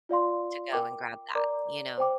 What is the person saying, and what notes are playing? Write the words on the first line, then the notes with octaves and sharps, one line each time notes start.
To go and grab that, you know?
F4 D5 F5 C6
A#4 G5 D6
A#4 D5 A#5 D6
C5 G5 D6